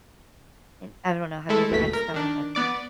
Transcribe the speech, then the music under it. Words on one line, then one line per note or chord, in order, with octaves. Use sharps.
and I don't know, have you ever had stuffed pepper?
G#3 A3 E4 A4
G1 D#2 B2 A3 B6
A#4
D#3 D4
B3 D5 D6